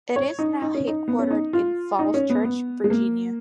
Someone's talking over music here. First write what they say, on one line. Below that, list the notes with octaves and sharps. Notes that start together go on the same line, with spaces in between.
It is now headquartered in Falls Church, Virginia.
C#5
D#4
D#4
C#4
D#4
B3
C#4
D#4
F4
D#4
C#4
B3
B3
G#3
A#3